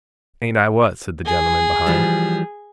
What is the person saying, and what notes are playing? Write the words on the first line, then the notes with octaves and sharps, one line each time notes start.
'Ain't I what?' said the gentleman behind.
G#4
E3 F3 G3